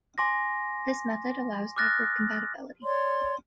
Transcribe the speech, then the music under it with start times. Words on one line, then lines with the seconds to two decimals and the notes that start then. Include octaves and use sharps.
This method allows backward compatibility.
0.18 G#5 C6 D6 A#6
1.76 D6 D#6 F6 F#6 A6 A#6
2.84 C#5 D5 C6